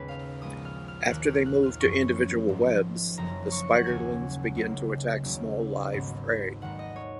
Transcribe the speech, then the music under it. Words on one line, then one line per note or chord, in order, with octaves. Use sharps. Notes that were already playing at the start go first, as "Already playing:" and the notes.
After they move to individual webs the spiderlings begin to attack small live prey.
Already playing: G#1 D#2 G#2 C#3 G#3 B3 G#4 B4
F5
A#1 A#2 G#3 B3 D#6
F6
F6
D#2 D#3 A#3 F#6
F6
F#6
F6
F#1 F#2 F3 B3 C#6
G#1 G#2 F3
F#1 F#2 F3 A#3 A#5
C#6
F#5
D#2 C#3 F#3 A#3 G#5
C#2 C#3 F#3 A#3
D#2 C#3 F#3 A#3
G#1 G#2 F#3 B3
G#1 G#2 D#3 G#3 B3 F#5
D#5
C#5